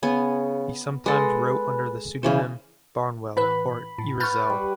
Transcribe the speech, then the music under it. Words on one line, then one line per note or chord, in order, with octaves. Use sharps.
He sometimes wrote under the pseudonym "Barnwell" or "Ira Zell".
C#3 B3 G#5
G#3 A4 B4
C#3 E3 C5
A2 E3 B4 B5
A2
B4 C#6 F6 G6 A6
G3